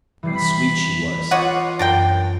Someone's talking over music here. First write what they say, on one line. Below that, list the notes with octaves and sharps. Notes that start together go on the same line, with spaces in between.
How sweet she was!
E3 G3 C7
B5
F4 B4 C#5 D#5 F#5 D6 A6
F#2 D4 A#4 G5